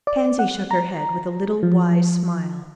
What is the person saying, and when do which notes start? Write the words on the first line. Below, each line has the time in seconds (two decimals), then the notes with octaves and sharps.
Pansy shook her head with a little wise smile.
0.07 D5
0.39 F#5
0.71 A#5
1.63 F3